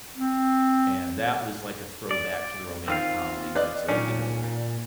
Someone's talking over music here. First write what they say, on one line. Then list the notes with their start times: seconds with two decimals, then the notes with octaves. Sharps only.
and that was, like, a throwback to the romantic comedies it's a, you know a
0.15 C4
2.11 D5
2.88 D#3 C4 F4 F5
3.55 B4 D5 D#5
3.89 A#2 D#3 F#3 C#4 D4
4.44 A#2